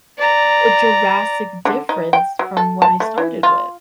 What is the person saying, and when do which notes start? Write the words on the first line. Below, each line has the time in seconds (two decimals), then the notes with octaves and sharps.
a drastic difference from what I started with."
0.18 D5 A#5
1.65 D3
1.89 D#4
2.13 G5
2.39 F#3
2.57 A4
2.82 A5
3.00 A3
3.18 E3
3.43 F4